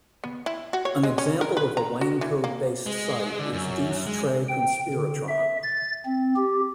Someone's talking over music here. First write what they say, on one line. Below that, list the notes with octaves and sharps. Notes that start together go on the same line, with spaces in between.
An example of a Wangcode-based site is "Deuce Tre - Conspiratron".
B3
E4
F#4
C#5
G#3
C#4
A#4
B4
A#5
F#4
E3
A#3
G#3
D3
F#2
G#3
G5
D3
E5
A6
C4
G4